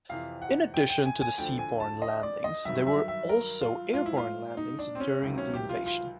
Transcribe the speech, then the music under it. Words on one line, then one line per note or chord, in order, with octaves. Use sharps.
In addition to the seaborne landings, there were also airborne landings during the invasion.
F2 C3 E3 F5
F#5
G5
G5
G#5
G#5
D2 D3 F3 G5
G#5
A5
D#5
D5
D#5
G2 D#3 F#3 E5
E5
E5
A#4
F4
G#2 F3 F4
E4
F4
D#4
D4
C4
C#4
C#2 C3 D#3 F#3
C#4
G4
F4
F4